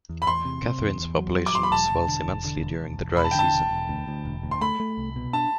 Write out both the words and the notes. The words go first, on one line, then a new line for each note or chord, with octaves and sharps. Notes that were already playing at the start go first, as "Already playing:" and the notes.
Katherine's population swells immensely during the Dry Season.
E2
B5
E2 C6
C3
C3
E2
E2
F#3
F#3
D6
F#3 C6
B5
E1 A5
E1
D3
E1
D3
E1
E1
E1
E1 B5
A5
G5
D3 A5
E1
E1
D2
D2
E1
D2
C6
A3 B5
A3
C2
B2
D4 A5